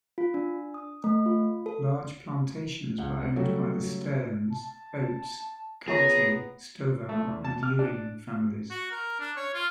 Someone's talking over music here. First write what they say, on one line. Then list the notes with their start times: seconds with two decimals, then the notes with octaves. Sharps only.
Large plantations were owned by the Stearns, Oates, Kalty, Stovall, and Ewing families.
0.18 F4
0.34 D4
0.74 D#6
1.04 A3
1.26 F4
1.66 A4
2.98 C#2 F#5
3.36 C#3 F#3 G3 A3 F#4 A4
4.52 A5
5.88 B3 F4 G#4 C#5 A#5 A#6
7.09 A3
7.28 E2
7.45 A5
7.63 F6
7.79 D4
8.70 F#4
8.91 A#4
9.19 D4
9.37 C#5
9.54 F4